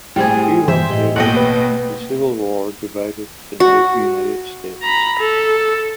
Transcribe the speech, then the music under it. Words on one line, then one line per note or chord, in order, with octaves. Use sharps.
A few months later, the Civil War divided the United States.
A2 G3 C4 E4 G#4
G2 E3 C5 E5
A2 G4 D#5
A1 B2 A#3 D#5 F#5 G5
B4
F#4
A#5 B5
A4